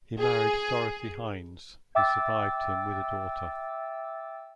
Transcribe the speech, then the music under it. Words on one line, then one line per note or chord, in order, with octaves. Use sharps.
He married Dorothy Hines who survived him with a daughter.
G#4
E5 G5 D6 E6 A6